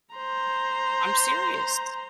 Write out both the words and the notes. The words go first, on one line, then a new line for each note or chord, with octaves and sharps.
I'm serious.
C5 A#5